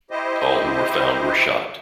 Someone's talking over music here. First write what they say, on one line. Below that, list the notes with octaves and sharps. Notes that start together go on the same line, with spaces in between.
All who were found were shot.
E4 G4 C5 D#5